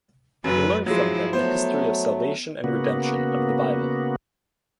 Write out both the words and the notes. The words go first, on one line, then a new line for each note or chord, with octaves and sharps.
He learned from them the history of salvation and redemption of the Bible.
F#1 F#2 F#3 B4
F3 F#3 G#3 E4
F#3 A3 B3 C5
C#3 A#3 B3 F#4